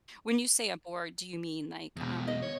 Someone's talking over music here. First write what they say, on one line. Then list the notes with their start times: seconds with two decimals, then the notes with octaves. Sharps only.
When you say a board, do you mean like, um,
1.96 E2 B2
2.27 D#5
2.42 C#5